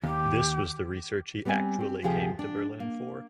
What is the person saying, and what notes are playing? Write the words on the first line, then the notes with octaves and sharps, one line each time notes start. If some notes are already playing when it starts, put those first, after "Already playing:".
This was the research he actually came to Berlin for.
D#2 G4
G3 B3 C4 G5 G#5
C4 G4
D2 C3 F3 G4 G#4 G5
D4
A#3